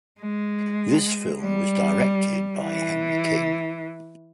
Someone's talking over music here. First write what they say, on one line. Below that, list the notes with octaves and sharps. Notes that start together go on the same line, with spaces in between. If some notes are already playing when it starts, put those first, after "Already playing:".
This film was directed by Henry King.
G#3
G3
E3